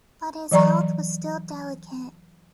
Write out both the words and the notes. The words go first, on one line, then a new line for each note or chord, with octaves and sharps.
But his health was still delicate.
E3 F#3 D5 A#5 C#6